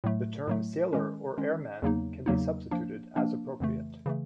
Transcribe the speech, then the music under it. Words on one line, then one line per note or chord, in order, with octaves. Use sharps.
The term "Sailor" or "Airman" can be substituted, as appropriate.
A2 F#3 A3
A2 F#3 A3
D#3 G#3 C#4
D#3 G#3 C#4
E2 C#3 F#3 A#3 D#4
E2 C#3 F#3 A#3 D#4
F3 A#3 D4
F3 A#3 D4
F2 C#3 E3 A3
C#3 E3 A3